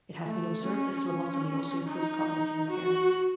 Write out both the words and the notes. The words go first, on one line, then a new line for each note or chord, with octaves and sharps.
It has been observed that phlebotomy also improves cognitive impairment.
A3
C#4
C#4
D#4
F#4